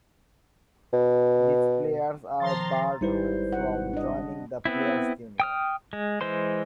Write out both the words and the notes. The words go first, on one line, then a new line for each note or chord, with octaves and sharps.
These players are barred from joining the players' union.
B2
D#3 F3 A#5 C6 A6
G#1 G3 D#4 E4 B4 C5
F#5
D4 D#5
B3 C4 E4
G5 D#6 F6
G#3
E3 G#3 C5 C6